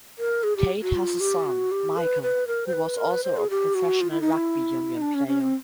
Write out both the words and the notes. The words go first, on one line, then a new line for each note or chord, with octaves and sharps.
Tait has a son, Michael, who was also a professional rugby union player.
A#4
G#4
G4
F#4
F4
G4
F#4
G4
B4
B4
A#4
C5
B4
A#4
B4
C5
G#4
G4
F#4
F4
E4
D#4
E4
D#4
D4
C#4
C#4
C4